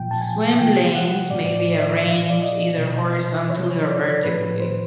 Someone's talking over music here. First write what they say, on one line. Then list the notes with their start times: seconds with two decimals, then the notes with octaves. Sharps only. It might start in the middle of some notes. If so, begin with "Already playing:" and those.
Swim lanes may be arranged either horizontally or vertically.
Already playing: A#2 F3 G5
0.11 A5
0.21 G#5
0.57 C3 F3 G5
0.95 F#5
1.30 A2 F3 D5
1.56 D5
1.79 E5
1.98 E5
2.04 A#2 F3 F5
2.30 D5
2.41 D#5
2.78 B2
3.50 F3 C#5
3.55 C3
3.88 D5
4.23 A2 F3 B4
4.60 C5